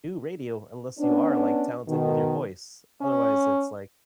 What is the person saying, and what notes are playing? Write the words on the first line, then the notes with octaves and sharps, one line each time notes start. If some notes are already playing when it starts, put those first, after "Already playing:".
do radio unless you are, like, talented with your voice. Otherwise, it's like,
B3 C#4 D4
B2 D#3
C#4